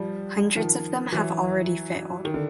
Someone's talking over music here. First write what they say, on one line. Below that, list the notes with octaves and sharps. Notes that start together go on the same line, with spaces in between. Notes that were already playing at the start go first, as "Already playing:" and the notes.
Hundreds of them have already failed.
Already playing: F3 G3
D#3 F3
E3 F#3
D#3
D3